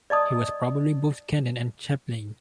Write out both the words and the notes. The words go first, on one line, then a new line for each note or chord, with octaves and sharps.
He was probably both canon and chaplain.
D5 D#5 A5 D#6